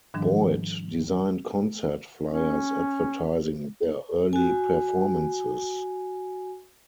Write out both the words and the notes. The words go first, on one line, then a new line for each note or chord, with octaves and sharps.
Boyd designed concert fliers advertising their early performances.
G#2 D#3 F3 G3 D4
C#4
F#4 G#5